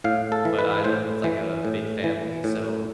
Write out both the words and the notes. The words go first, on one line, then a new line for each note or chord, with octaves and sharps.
but I live with, like, a big family, so,
A2 F5
A4
E3
B4
A2 C5
E3
A2
E3
A2